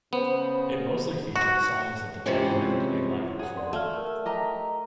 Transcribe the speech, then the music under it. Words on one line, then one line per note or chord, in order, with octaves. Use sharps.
It mostly featured songs that the band had never played live before.
C#3 B3 C5
F#4
C3 E3 F3 G#3 C4 C#4
G#4 F#5
D5 C6
A3 D5 F5 F6
A#4
G4 D#5 A#5